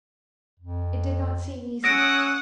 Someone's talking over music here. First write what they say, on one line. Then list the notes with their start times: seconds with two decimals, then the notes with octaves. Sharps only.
It did not seem easy.
0.60 F2
1.84 C#4 C#5 F#5 D#6 E6 A#6 D7